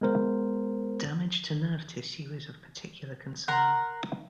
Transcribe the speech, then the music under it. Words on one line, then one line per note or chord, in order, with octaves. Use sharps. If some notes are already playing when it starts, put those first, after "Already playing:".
Damage to nerve tissue is of particular concern.
G#3 B3 A#4 C5
A#4 F#5 A#5 C6